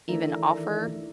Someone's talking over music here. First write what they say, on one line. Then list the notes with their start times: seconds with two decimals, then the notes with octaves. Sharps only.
even offer
0.09 D#3 E3 A3 D4 E4 A#4